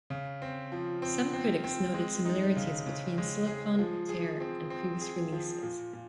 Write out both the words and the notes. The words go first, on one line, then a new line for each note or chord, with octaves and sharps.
Some critics noted similarities between "Silicon Tare" and previous releases.
C#3
C4
F3
C4
C4
C4
G#3
D#4
C#3
C#3
G#3
G#4
F3
G#4
C4
C4
G#4
F3
A#2
A#2